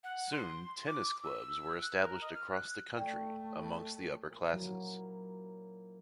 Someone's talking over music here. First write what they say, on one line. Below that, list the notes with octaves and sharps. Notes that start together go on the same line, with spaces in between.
Soon tennis clubs were established across the country amongst the upper classes.
F#5
C6
D6
E6
F#6
A#4
D#5
F6
F#6
A3 D5 G5
A#2 F3
F#3 A#3 E4